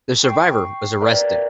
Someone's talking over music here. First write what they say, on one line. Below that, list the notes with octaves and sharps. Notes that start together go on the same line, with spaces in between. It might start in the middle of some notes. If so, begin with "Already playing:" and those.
The survivor was arrested.
G5 C#6 C7
A#4 B4 D5 E5 G5 A#5